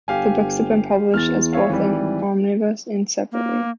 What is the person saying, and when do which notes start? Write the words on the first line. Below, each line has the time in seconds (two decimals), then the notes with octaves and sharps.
The books have been published as both an omnibus and separately.
0.08 G1 G4 F5 G#5
1.14 E2 F6 A6
1.53 C#5 E5 F5
1.70 G#1 E3 G3
3.32 A#3